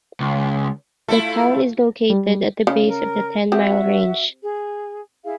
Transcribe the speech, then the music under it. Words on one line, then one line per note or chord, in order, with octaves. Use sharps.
The town is located at the base of the Tenmile Range.
C#2
A3 E4 F4 A4
G3
C#3
A#4
C4 F#4 G4 E5
G#4
E4 G#4 F5